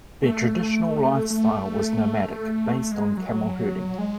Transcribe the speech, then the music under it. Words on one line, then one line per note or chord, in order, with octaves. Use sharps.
Their traditional lifestyle was nomadic, based on camel herding.
A3
A3
G#3
F#3
G#3